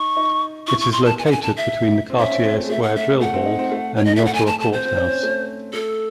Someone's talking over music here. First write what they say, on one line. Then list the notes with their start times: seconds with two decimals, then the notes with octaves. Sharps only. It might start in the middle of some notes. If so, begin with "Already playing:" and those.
It is located between the Cartier Square Drill Hall and the Ottawa Court House.
Already playing: D#4 C#6
0.16 D#4
0.67 E4 C#6
0.80 C#6
0.92 C6
1.05 A5
1.19 G#5
1.26 F#5
1.31 G#5
1.43 A5
1.57 E5
2.10 C4
2.19 C#4 E5
2.32 C4
2.44 C4
2.57 A3
2.64 G#3
2.70 A3 E5
2.82 F#5
2.96 E5
3.20 A3 F#5
3.34 C4
3.46 D#4
3.59 C4
3.72 A3
3.96 C#5
4.05 D#5
4.16 E5
4.22 A3 F#5
4.34 G#5
4.47 A5
4.60 A5
4.72 C4 C5
4.85 C4
4.97 C#4
5.10 C4
5.23 A3
5.73 A3 A4